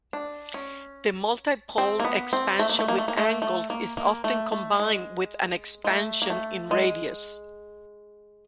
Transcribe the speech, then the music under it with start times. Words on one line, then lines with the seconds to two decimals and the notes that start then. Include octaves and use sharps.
The multipole expansion with angles is often combined with an expansion in radius.
0.13 D4
0.54 C#4
1.78 C4
2.00 A#3
2.05 B3
2.33 C4
2.59 A3
2.69 A#3
2.79 A3
2.88 A#3
2.98 A3
3.08 A#3
3.17 A3
3.42 A3
3.70 A#3
3.97 A#3
4.24 A3
4.52 A3
4.80 G#3
5.84 G#3
5.89 A3
6.22 A#3
6.30 A3
6.71 G#3